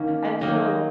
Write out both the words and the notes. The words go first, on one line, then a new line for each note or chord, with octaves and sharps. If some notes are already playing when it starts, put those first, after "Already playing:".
and so,
Already playing: D#3 A#3 C#4
D#3 F#3 A#3 D#4